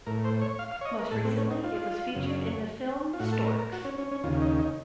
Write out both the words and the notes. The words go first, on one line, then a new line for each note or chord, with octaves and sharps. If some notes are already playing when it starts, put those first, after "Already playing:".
Most recently, it was featured in the film, "Storks".
A2 A#4
C5
C#5
F5
F5
C#5
D#5
A#4
A2 A4
C4
C#4
D#4
F4
F#2 C#3
F4
A2 F#4
A4
A#4
A#4
F#4
C#4
C#4
C#4
D#2 C#3 F4
D#4
D#4